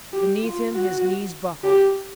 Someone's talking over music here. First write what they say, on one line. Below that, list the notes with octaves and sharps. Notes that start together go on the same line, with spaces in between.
Beneath him his knees buckled.
G4
F4
F#4
G4